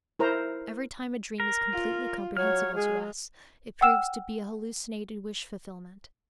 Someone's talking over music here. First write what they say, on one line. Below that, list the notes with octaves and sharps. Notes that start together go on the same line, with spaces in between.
Every time a dream is completely comprehensible to us, it proves to be an hallucinated wish-fulfillment.
E4 A#4 C5 A#5
A#4
F4
F#3 C#5 F6
G#3 G#4
F#5 G5 E6 F6 E7